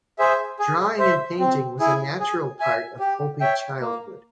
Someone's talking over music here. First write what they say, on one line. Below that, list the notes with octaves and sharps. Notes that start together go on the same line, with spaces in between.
Drawing and painting was a natural part of Hopi childhood.
G#4 C5 E5
G#4
C5 E5
C4
E4 G#4
G#4
E5 G#5
G4
C#5 E5 G5
A#3